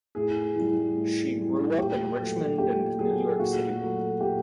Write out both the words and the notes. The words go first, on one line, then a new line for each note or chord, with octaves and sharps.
She grew up in Richmond and New York City.
A2 G#4
E3 G3
A2
E3 G3
A#2 G4
F#3 A3
A#2 G4
F#3 A3 G#4
A#2 F#4
F#3 A3
A#2 G4